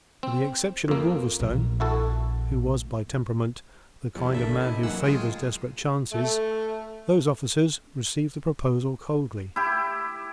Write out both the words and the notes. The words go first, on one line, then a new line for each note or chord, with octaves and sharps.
With the exception of Wolverstone, who was by temperament the kind of man who favours desperate chances, those officers received the proposal coldly.
C4
F2 A#3
A#1 A#2
E4 F#4 A4
E2 F3 G3
G1 A#3 D4 A4 E5
C3 D#4 E4
A1 E3 F#3 A#3 F#5 E6
C#2 F#2 A2 G#3 F4 G#4
A3
E4 G4